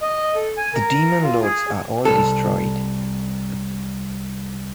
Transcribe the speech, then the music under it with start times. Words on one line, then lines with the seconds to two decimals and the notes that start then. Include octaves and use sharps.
The Demon Lords are all destroyed.
0.01 D#5
0.35 A4
0.57 G#5
0.74 A#4
1.23 F4
1.42 G#4
2.05 C2 A4